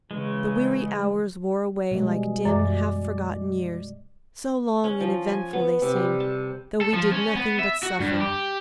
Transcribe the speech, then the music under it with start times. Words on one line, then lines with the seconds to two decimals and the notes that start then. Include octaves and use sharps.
The weary hours wore away like dim half-forgotten years, so long and eventful they seemed, though we did nothing but suffer.
0.11 C#3 E3 G#3
1.91 B2 G3 G#3
2.45 F#2 E3 D5
4.84 C#4
5.01 F3
5.27 G#5
5.53 B3
5.82 C3
5.96 G3
6.20 A5
6.81 A4
6.94 F3
7.12 C#4
7.36 B3
7.60 E5
7.83 F#4
8.00 G2
8.21 G4